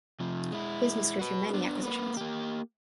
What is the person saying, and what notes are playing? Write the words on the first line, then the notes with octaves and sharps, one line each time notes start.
Business grew through many acquisitions.
C3 F3
G#3 E4
F#4 B4
B3 D4
A#3 B4
A#3 G4